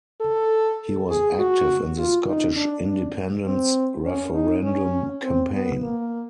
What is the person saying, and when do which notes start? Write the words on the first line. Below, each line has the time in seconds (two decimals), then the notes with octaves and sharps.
He was active in the Scottish independence referendum campaign.
0.21 A4
1.09 G#4
1.39 F#4
1.98 F4
2.27 D#4
2.56 D4
2.87 D4
3.46 C4
4.05 C#4
4.34 D#4
4.64 C#4
5.23 C4
5.52 B3
5.82 A#3